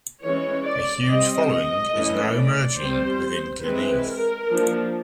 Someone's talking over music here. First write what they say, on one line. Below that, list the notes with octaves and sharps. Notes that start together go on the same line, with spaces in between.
A huge following is now emerging within Glynneath.
E3 G#3 C#4 C#5
D5
G3 C4 D#5
D#5
E3 A3 C#4
D5
G3 C4 C5
E3 G#3 C4 B4
A#4
F3 A#3 D4